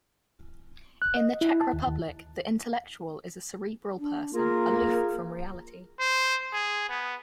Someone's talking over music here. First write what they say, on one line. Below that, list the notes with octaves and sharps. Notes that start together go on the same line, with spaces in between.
In the Czech Republic, the intellectual is a cerebral person, aloof from reality.
F#6
D#5
E4
A5
D#2
D#2
D4
A#3 F4 G#4 A#4
C5
G#4
B3